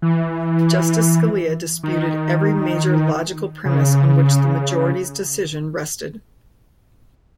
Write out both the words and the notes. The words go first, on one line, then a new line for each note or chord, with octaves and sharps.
Justice Scalia disputed every major logical premise on which the majority's decision rested.
E3
D#3
C#3